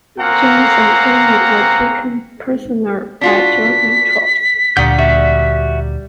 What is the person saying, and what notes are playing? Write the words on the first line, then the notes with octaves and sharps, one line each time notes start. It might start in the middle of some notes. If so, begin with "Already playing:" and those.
Johns and Amey were taken prisoner by German troops.
A#3 C4 C#4 F5 F#5 A#5
D4 F4 F#4 B6
D2 A#2 D3 G3 A#3 F#5 G6
G3 F#4 E5